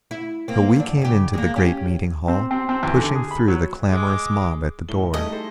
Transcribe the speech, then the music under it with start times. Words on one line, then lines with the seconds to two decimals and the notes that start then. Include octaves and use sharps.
So we came into the great meeting-hall, pushing through the clamorous mob at the door.
0.11 E4
0.48 A#3 C4
0.76 F#2 D4
1.01 C#3 G4
1.34 G#3 A#3
1.56 C#4 G4
2.28 C4
2.51 C4
2.69 C4
2.83 E2
2.97 D3
3.15 G#4
3.31 B5
3.48 F#3
3.90 G#3 D6
4.89 A2 G7
5.14 G3 A3 D#4 G#4 D#5
5.32 E4 A4 C5